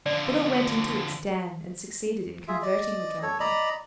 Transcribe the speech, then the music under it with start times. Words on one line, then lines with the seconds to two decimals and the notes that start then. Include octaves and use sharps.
Bouddha went into its den and succeeded in converting the dragon.
0.06 D3 F3 D5
2.48 F4 G#4 E5
2.63 D5 D#5
3.22 A4 C#5
3.40 D5 D#5 A#5 B5